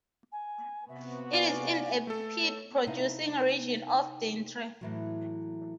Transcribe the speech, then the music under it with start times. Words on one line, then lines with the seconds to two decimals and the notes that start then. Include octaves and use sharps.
It is in a peat-producing region of Drenthe.
0.32 G#5
0.89 C3 B3 F#4 E5
1.33 D5 F5 G#5
2.07 A3 A4
2.43 C#5
2.87 C3 D#4 E4 F5 A5
4.81 A2 E3 F#3